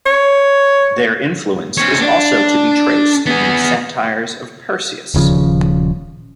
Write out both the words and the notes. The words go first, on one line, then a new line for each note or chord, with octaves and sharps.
Their influence is also to be traced in the satires of Persius.
C#5
C4 C#5
D4
B3 G#4
D#1 C#3 F3